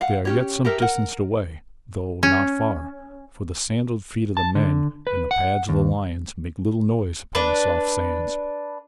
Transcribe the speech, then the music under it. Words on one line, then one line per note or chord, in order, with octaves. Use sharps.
"They are yet some distance away, though not far, for the sandaled feet of the men and the pads of the lions make little noise upon the soft sands."
F5 F#5
C#4 G4 C#5
G4 A4 A#4 E5
A#4 F#5
C#4
A5
D3
B4
F#5
D#2
D4 B4